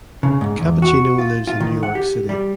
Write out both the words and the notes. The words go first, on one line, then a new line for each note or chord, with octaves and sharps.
Cappuccino lives in New York City.
C#3
G#2
E2
F#4
F4
F4
D#3
F#5
G4
G3